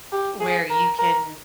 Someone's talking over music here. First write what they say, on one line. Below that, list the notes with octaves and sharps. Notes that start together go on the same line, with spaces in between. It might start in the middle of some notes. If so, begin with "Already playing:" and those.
where you can
G4
G#4
A#4
A#4